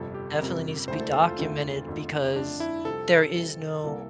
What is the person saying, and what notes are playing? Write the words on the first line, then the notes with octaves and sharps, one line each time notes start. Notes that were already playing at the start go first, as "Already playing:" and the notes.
definitely needs to be documented because there is no
Already playing: G1 F2 C3 A4
G4
G1 F2 C3 A#4
E1 D2 D3 A3 E4 C5
A4
A4
F4
E1 D2 D3 A3 E4
F2 D3 A3
F2 D3 A3 D4
E4
C2 C3 F3 C4 A4
C2 C3 F3 C4
C2 C3 E3 A#3